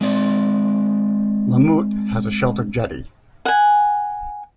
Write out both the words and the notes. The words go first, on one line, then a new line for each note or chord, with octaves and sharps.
Lumut has a sheltered jetty.
G#3 C4 D5
F#5 G#5